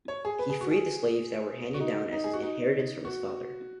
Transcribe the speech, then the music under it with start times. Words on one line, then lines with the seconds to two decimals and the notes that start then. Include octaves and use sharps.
He freed the slaves that were handed down as his inheritance from his father.
0.08 C#5
0.25 G#4
0.39 B4
0.50 G#4
0.61 F#4
0.71 G#4
1.74 F#4
1.80 D#4
2.12 D#4
2.24 G#4
2.33 F#4
2.43 D#4
3.05 F#4